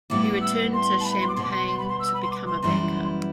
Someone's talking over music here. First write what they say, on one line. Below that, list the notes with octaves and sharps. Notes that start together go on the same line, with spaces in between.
He returned to Champaign to become a banker.
A2 G3 B3 E4 D6
E6
C6
A5
B5
C6
D6
B2 G3 B3 C6
D6
C6
C6
B5
C6
E6
B5
C6
D6
C6
F#2 E3 G3 B3 E4 C6